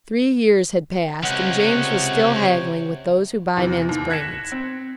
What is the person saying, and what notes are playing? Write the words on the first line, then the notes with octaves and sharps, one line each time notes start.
Three years had passed, and James was still haggling with those who buy men's brains.
C#2 C3 C#5 F#5 G5
E2 C3
D#2
F#6 G#6 A#6 B6 C#7 E7
C4